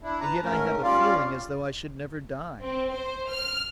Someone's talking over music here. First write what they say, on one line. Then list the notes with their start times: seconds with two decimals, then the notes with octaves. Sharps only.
And yet I have a feeling as though I should never die.
0.03 D4 E4
0.20 B4 A5 A#5
0.42 G#2 A3 C#4 A#4
0.83 G3 C#4 F4 D5 F5
2.62 C4
2.92 C5
3.29 F6